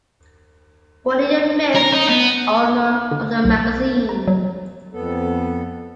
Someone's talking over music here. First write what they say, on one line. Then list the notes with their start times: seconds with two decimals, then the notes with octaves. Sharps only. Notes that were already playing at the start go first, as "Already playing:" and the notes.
Bonnier remains owner of the magazine.
1.75 A#4
1.93 D#4
2.09 B3
3.11 D3
3.44 B1
4.09 A#5
4.28 F#3
4.94 F2 B3 A4